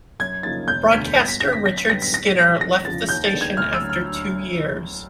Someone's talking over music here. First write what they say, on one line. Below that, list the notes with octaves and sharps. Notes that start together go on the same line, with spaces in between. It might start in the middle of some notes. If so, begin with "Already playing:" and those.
Broadcaster Richard Skinner left the station after two years.
F#2 G#6
C#3 F3 A#3 D#4 A6
E1 G6
D2 D3 B6
G1 A#6
B6
G2 D3 G3 A#6
B6
F#2 A#6
B6
D3 G3 B3 A#6
B6
C2 A#6
B6
A#2 G3 A#6
F1 A#6
E2 C#3 F3 A6
D#2 G6
A6
D#3 G#3 B3 D4
G#6
D2 F6
E6
D3 F#3
F6